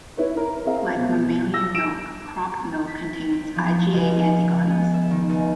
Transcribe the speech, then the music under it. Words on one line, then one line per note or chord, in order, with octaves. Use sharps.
Like mammalian milk, crop milk contains IgA antibodies.
E4 B4 C#5
E4 A#4
C4 G#4 E5 F5
B2
E6 A#6
E6 D7 E7
B6
C4
F3
C#2
G#4
B3
E5
D#3
C#2